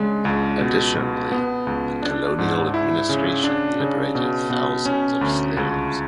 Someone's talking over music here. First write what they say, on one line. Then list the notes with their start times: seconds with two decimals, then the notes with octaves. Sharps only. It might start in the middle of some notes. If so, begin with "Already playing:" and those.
Additionally, the colonial administration liberated thousands of slaves.
Already playing: C#3 G#3 D4
0.25 C#2
0.61 B2
0.96 B2
1.32 B3
1.67 C#2
2.02 D4
2.38 G#2
2.74 E4
3.09 C#3
3.44 D4
3.80 C#3
4.15 B2
4.50 B2
4.85 C#4
5.21 D2
5.57 C#2